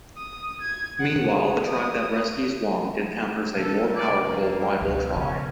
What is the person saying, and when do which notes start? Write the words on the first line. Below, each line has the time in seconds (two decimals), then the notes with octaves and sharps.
Meanwhile, the tribe that rescues Wong encounters a more powerful rival tribe.
0.18 D#6
0.61 G#6
1.01 F#5
1.35 G#4
1.69 D#6
3.56 C3 A4
3.94 D5
4.26 F2 A#3
4.81 C#2 F#2 B2
5.16 C#3 C#4